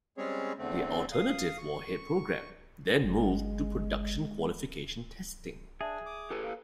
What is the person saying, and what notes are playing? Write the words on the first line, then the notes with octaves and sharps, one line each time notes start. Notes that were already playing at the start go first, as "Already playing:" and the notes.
The Alternative Warhead Program then moved to production qualification testing.
G3 G#3 C4 C#4 G#4 C#5
E2 D3 A3 C4
F5 D#6
C#6
G1 G#3
D4 G#4 E5
D6 D#6
G4 A4 B4
A#3